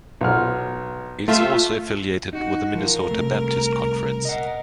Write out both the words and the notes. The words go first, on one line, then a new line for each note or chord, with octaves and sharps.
It is also affiliated with the Minnesota Baptist Conference.
B1 F6
A3 F4 E5
D#4 F#4
F3 F4 A#4
C2 A3
D#5 F#5